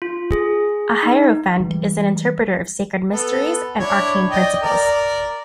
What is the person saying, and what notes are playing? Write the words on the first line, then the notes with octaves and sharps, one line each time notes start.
A hierophant is an interpreter of sacred mysteries and arcane principles.
F4
G#4
D#4
E3 G3 G#3
B3 A4
D4 E4 C#5
D5 D#5 G5
A#4 D5